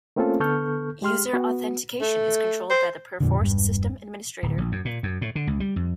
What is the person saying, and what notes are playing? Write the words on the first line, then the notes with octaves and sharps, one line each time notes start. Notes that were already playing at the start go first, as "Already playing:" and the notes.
User authentication is controlled by the Perforce system administrator.
A3 A#3 C4 C#4 F4 A4
D3 B3 A4 C#6 F6 G6
G#3 G4 C6 F6
B3 F#4
A3
C5
F2 A#2 D3
E1 G2
D1
A#1
F#2
A#2
F#2
A2
D3
C#2
G3
F2